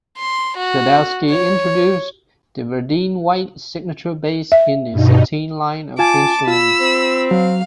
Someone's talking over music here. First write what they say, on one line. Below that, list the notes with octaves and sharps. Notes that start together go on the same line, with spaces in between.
Sadowsky introduced the Verdine White signature bass in the Satin line of instruments.
C6
F#4
C#5
E5
G2 B2 D#4
F4 G#5 A5 D6
F4 B5 E6
C4
F#3 F5